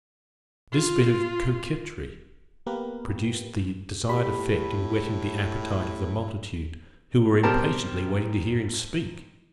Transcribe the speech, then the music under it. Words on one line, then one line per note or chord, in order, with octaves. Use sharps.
This bit of coquetry produced the desired effect in whetting the appetite of the multitude, who were impatiently waiting to hear him speak.
F4
A#3 B3 G4 A#4 B4
A2 G4 B5
B2 G3 C4 G4 A#4 A5